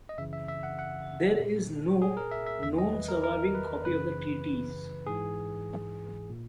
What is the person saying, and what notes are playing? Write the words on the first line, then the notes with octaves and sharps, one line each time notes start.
There is no known surviving copy of the treaties.
D#5
F#2 C#3 E3 E5
E5
E5
F#5
F#5
A#2
G#4
A#4
E5
E5
E2 D#3 E5
D#5
B4
A#4
A#4
B4
F#2 C#3 E3 B4
G#2 E3 G#4
A#2